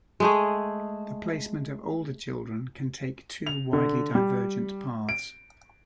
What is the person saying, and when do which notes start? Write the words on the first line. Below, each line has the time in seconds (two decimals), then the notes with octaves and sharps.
The placement of older children can take two widely divergent paths.
0.20 G#3 A3 G#4
3.47 F7
3.73 D3
4.15 G3
5.09 D7